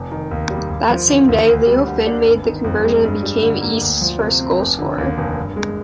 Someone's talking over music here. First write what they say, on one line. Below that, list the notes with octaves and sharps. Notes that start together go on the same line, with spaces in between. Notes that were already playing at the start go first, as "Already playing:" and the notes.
That same day, Leo Finn made the conversion and became Easts first goal scorer.
Already playing: F1
D#3
D#2
G3
D#2
F3
D3
D#2
D2
G3
D3
D4
G1
D#3
F2
G#3
G2
G3
D3
A#3
D2
F3
C3
C4
F1
D3
D#2
F1
G2
G#3